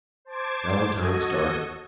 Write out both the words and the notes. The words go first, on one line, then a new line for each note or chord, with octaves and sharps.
Valentine started.
C5 A5 D6 G#6
F#4 A4 D#5 D#6 G#6